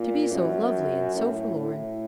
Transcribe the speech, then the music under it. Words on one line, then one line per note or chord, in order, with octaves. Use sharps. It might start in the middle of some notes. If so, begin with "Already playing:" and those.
To be so lovely and so forlorn!
Already playing: A#2
F#2
A2
A2